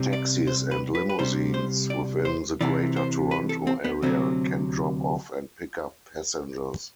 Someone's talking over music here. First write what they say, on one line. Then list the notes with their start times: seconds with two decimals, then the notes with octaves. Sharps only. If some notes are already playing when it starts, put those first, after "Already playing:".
Taxis and limousines within the Greater Toronto Area can drop off and pickup passengers.
Already playing: C2 C3 G3
0.13 D5
0.47 C5
0.71 B4
0.95 B4
1.09 B4
1.19 C2 C3 G3 C5
1.54 C5
1.90 D5
2.25 C5
2.61 C2 C3 E3 D5
2.96 C5
3.31 B4
3.49 A4
3.67 C4
3.84 B3
4.02 D2 C3 F#3 C4